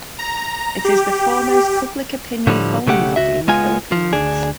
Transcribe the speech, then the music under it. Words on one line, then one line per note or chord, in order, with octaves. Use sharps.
It is the foremost public-opinion polling body in the Philippines.
A#5
G4
A2 D3 F3 G3
B1 C#3 A3 G4 F#5
C#2 A#2 F#4 E5
C#2 G#3 B3 F4 G#5
F3
D2 D4 G#4